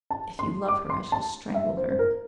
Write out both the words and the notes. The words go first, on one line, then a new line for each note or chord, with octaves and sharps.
If you love her, I shall strangle her....
A5
C6
D6
C6
A5
E5
C5
C5
A#4